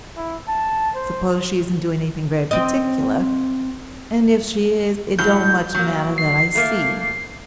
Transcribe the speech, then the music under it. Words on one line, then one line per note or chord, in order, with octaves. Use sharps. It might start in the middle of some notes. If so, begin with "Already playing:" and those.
I suppose she isn't doing anything very particular; and if she is, it don't much matter, that I see.'
E4
A5
C5
C4 D#5
A2 F#3 G6
F#3 A#3
C7
A3 A#3